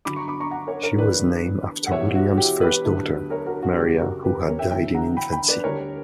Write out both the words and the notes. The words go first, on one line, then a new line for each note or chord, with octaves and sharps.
She was named after William's first daughter, Maria, who had died in infancy.
G2 D3 F#3 B5 D6
A#5 C#6
B5 D6
A#5 C#6
F#5 A#5
A#4 C#5
A#4 C#5
E2 D3 G3 B4 D5
F#5
E2 B2 G3 C#5 E5
F#4
F#4
G4
G4 B4
D2 D3 F#3
A#4 C#5
F#4 A#4
F#4
F#2 C#3 G3 G4
F#4 A#4
G4 B4
A#4 C#5
E5 G5
E2 D3 F#3 E5 G5
F#5 A#5
G5 B5
G5 B5
B4 D5
D2 D3 G3 A#4 C#5